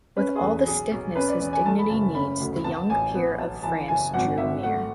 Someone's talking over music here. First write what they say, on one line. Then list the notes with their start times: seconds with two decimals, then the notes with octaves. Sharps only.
With all the stiffness his dignity needs, the young peer of France drew near.
0.16 C#4 B4
0.35 G#4
0.41 E2 A4
0.66 B1 G#4
0.91 B1
1.15 C#4 B4
1.28 D5
1.41 E2
1.53 G#5
1.65 A3 A5
1.79 B5
1.90 F#1 A5
2.15 C#4 B5
2.40 D2
2.64 B3 A5
2.90 A1 G#5
3.15 B3
3.39 B1 A5
3.63 E3 A5
3.88 F#1 G#5
4.14 G#1 F#5
4.38 G#1 E5
4.63 A3 F#5